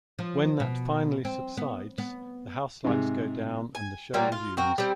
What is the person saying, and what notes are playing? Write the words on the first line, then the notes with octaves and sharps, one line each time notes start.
When that finally subsides, the house lights go down and the show resumes.
F3
B2
C4
B3
B3
G#2 C3
G#5
A#2 F#3 G3 A#3
F4
C4 F#4 A#4
G3 C4